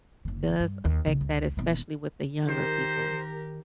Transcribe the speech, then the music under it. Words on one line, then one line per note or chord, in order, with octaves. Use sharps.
does affect that, especially with the younger people.
F#1 D3
G2
D#2
B1 C#3
C#2
D#1 B3
D#3 G4 A#4 C5